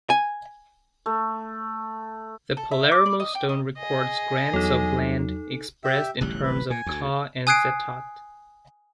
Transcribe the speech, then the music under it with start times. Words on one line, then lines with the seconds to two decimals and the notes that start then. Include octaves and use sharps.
The Palermo stone records grants of land expressed in terms of "kha" and "setat".
0.10 G#5
1.06 A3
2.57 A4
2.71 E5
2.91 D6
3.06 D5
3.20 D#5
3.35 G5
3.49 D#5
3.78 G#4 D#5
4.53 E2 F#3 D#4 A4
5.84 G4 E5
6.21 D1 A1 G3 F#6
6.43 B4
6.70 A#2 G#5
6.86 D2
7.47 G#5 D#6 F#6 G#6 C7 D7